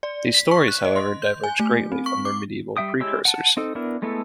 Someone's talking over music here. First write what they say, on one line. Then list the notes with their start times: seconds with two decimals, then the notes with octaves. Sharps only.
These stories, however, diverged greatly from their medieval precursors.
0.03 D5
0.34 B6
0.51 C#6
0.68 F#6
0.85 D#5
0.96 C6
1.22 G6
1.44 G#5
1.60 A3
1.92 C4
2.06 C#6
2.25 D6
2.77 G3 D4 E5 G5 D#6
3.00 G#3 E4 G4 C#5 E6
3.25 F#5 A5
3.57 C4 D#4 A4
3.75 B3 D4 E4 A#4
4.02 G#3 A3 B3 E4 A4